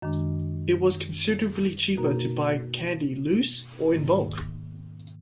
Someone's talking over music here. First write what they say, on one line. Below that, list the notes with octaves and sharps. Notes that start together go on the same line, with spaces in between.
It was considerably cheaper to buy candy loose, or in bulk.
F#2 D#3 G#3 D4
B2 A#3 D#4 F#4 A#4
G#2 D#3 A#3